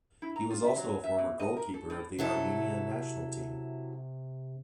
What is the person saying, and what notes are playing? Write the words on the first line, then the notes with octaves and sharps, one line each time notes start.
He was also a former goalkeeper of the Armenia national team.
E4
A#5
F4
E5
F#3
E5
B2
D#5
A#4
A4
A2
C3 F#3 E4 A4